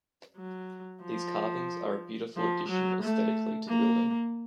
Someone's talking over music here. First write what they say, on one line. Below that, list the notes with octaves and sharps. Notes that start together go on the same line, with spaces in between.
These carvings are a beautiful addition aesthetically to the building.
F#3
F3
F3
F#3
A3
A#3